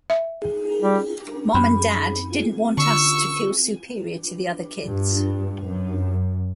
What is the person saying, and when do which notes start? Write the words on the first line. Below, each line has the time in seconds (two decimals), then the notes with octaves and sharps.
Mom and Dad didn't want us to feel superior to the other kids.
0.10 E5
0.82 G3
1.54 F#2 B5
2.77 D3 C#6 E6
4.85 G2
5.66 F#2